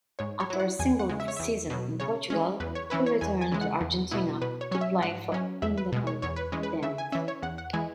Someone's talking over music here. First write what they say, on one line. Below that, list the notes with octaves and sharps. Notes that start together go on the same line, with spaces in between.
After a single season in Portugal, he returned to Argentina to play for Independiente.
G#2 C#5
C#5
F#3 E4
F#5
E2 G#5
F#5
C#3 G#3
E5
C#5
E2 E5
B2 F#3
C#3 C#5
G#3 C#4
E2 B4
C#5
E3 C#4 E4 B4
C#5
E2 G#5
G#5
C#3 E3 G#3
F#5
E2
B2 B3 E4
B2 B4
C#5
F#3 C#4 C#5
E5
G#2 F#5
F#3 C#4
E2 E5
B4
B2 G#3
C#5
E2 C#5
B4
E3 G#3 C#4
B4
C#3 E5
G#5
E3 C#4 E5
C#5
E2 F#5
F#5
E3 G#3 E4 G#5